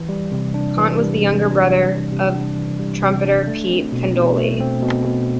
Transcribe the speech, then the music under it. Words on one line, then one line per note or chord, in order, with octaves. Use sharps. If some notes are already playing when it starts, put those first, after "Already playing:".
Conte was the younger brother of trumpeter Pete Candoli.
Already playing: E3
G3
C3
D4
E3
G3
C3
D4
E3
G3
C3
D4
E3
G3
C3
D4
A3
C4
B2
B2
A3
C4
B2
B2